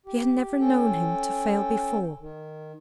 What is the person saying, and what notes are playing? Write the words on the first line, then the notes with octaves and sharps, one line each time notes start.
She had never known him to fail before.
G4
C#4 A4 G5
D#3